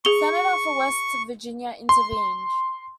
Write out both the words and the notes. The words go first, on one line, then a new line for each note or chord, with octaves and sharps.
Senator for West Virginia, intervened.
G#4 C#6 G7
C6